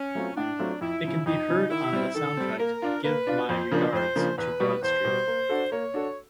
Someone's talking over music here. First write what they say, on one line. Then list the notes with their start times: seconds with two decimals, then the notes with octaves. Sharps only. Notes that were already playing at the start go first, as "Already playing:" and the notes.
It can be heard on the soundtrack "Give My Regards to Broad Street".
Already playing: C#4
0.15 F#3 A3 C4 F4
0.37 A2 D4
0.59 F#3 A3 C4 F4
0.81 F2 E4
1.05 C#3 F3
1.26 F2 D#4
1.49 C#3 F3
1.70 D#3 E4
1.93 G3 C4
2.15 D#3 A4
2.37 G3 C4
2.59 A#3 A#4
2.82 D4 F4
3.04 A#3 B4
3.27 D4 F4
3.49 F2 C5
3.71 C#3 F3 A#3 D4
3.93 F2 C5
4.16 C#3 F3 A#3 D4
4.37 E2 B4
4.60 B2 G3
4.82 E2 C5
5.04 B2 G3
5.27 A#3
5.49 D4 F#4 A4
5.72 A#3 C#5
5.94 D4 F#4 A4